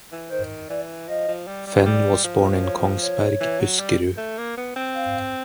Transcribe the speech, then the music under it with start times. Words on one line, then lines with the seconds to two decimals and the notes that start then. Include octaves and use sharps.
Fehn was born in Kongsberg, Buskerud.
0.12 E3
0.31 D#3 C5
0.69 E3 D5
1.08 F3 D#5
1.28 F3
1.47 G3
1.67 G3
1.86 G3 D5
2.24 F3
2.63 C#5
3.02 C#5
3.41 E3
3.61 F#3
3.79 G3
4.18 A3
4.38 A#3
4.57 B3
4.76 C4
4.95 F5